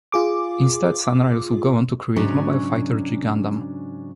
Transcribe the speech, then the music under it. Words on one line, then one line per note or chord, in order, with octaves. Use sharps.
Instead, Sunrise would go on to create "Mobile Fighter G Gundam".
F4 G#4 D6
G#2 C#3 F#3 C#4 D4